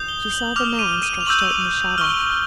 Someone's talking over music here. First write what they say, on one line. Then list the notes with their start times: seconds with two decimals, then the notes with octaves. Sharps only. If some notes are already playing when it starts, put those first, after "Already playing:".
She saw the man stretched out in the shadow.
Already playing: D#6 G6
0.08 G7
0.23 G7
0.32 F#7
0.56 D6 F6 F7
0.79 D#7
1.03 D#7
1.21 F7
1.26 C#6 E6 G6 F#7
1.98 C#6 F6 G7